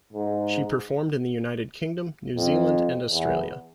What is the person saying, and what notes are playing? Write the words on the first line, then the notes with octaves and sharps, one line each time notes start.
She performed in the United Kingdom, New Zealand and Australia.
G#2
F2
E2